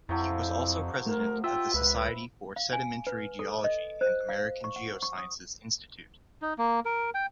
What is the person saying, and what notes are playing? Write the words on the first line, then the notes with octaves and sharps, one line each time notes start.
He was also president of the Society for Sedimentary Geology and American Geosciences Institute.
F2 C3 F3 F#3 E4
A3 A#4
F4 E5 G5 E6
C#2 B4 B5
F5
G#5
B4
A4
D#5
C5
F5
C#6
F#5
C#6
D#6
D#4
A#3
A#4
G5